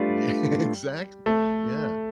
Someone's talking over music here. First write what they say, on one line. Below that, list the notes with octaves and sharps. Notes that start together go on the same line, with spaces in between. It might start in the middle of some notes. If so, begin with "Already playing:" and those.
Yeah, exactly. Yeah.
Already playing: G3 A3 D4 F4 B4 D5
A3